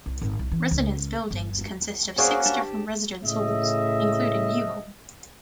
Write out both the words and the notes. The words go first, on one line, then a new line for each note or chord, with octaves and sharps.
Residence buildings consist of six different residence halls, including New Hall.
C2
G#1
C2
E3
C#2
G1
A#3 C#4 F#4 G#4 C5 D5
D4 G4
A2 C#3 D#5 E5